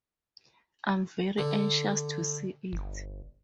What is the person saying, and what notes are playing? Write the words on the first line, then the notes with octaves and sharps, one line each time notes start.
I'm very anxious to see it.
D3
G1